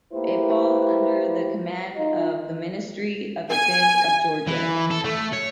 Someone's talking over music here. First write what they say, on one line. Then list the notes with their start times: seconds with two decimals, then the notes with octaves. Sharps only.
It falls under the command of the Ministry of Defense of Georgia.
0.13 A3 A#3 E4 G4 B4 C5
1.95 D#4 F4 D#5
3.50 G#5
4.47 E3
4.91 A4
5.05 A3
5.33 C#5